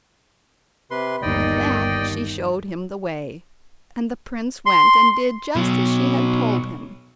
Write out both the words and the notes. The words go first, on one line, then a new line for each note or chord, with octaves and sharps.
With that she showed him the way, and the prince went and did just as she had told him.
C3 B4 C6
G1 D#2 D#3 D5 D#5 G5
C6
B2 F#3